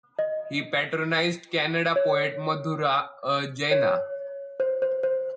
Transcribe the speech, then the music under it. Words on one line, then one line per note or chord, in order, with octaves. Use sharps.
He patronised Kannada poet Madhura, a Jaina.
D#5
C#5
C#5
C5
C5
C5